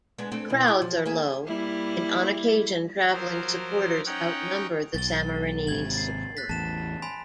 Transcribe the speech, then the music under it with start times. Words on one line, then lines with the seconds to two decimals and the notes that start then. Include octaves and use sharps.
Crowds are low, and on occasion travelling supporters outnumber the Sammarinese support.
0.18 G#3 B3 D4
0.32 A3 C4 D4
0.50 B2 E3
0.68 E4
0.82 F3
1.06 A#3 G#4 E5
1.46 G3 A#3 E4
3.12 F3 F#3 A#4 C5
4.06 C#4 D#4 C#5 F#5 G5
4.94 B1 A6 G7
5.67 G#1 C3 G#6 F#7
5.94 A6 C7
6.37 F#6 A6 B6
6.49 A1 E2 A5 E7
7.02 G#5 B5 C6